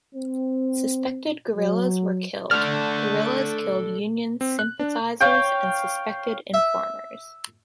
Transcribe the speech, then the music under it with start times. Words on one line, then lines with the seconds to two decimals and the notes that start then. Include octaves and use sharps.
Suspected guerrillas were killed; guerrillas killed Union sympathizers and suspected informers.
0.15 C4
1.56 F#3
2.51 A3 A4 D5 F6
4.41 C4
4.59 F#6
4.79 D4
5.20 C#5 F5 G5
6.54 E5